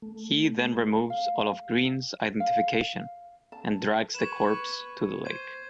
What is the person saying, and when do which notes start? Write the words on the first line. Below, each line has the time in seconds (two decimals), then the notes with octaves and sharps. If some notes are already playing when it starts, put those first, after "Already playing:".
He then removes all of Greene's identification and drags the corpse to the lake.
0.02 A3
1.10 F5
2.40 F5
3.52 A5
4.15 B4 C#6 G#6 E7
5.25 C5 G#6 D#7